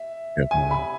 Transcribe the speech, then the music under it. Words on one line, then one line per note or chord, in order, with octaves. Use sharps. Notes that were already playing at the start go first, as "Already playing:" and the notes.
definitely not.
Already playing: E5
G#5
B5